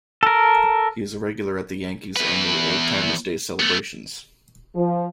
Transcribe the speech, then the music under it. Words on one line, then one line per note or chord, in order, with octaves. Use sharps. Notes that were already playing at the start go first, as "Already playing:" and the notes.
He is a regular at the Yankees' annual Old-Timers' Day celebrations.
A4 A#4
E2 B4
A3 B3
F3